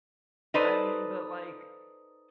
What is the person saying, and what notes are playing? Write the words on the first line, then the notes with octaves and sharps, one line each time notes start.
I mean, but like
D#4 A4 B4 C5 D5